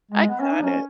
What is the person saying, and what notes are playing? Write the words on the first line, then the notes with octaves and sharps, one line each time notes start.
I got it.
G#3
B3
C#4
D#4
C#4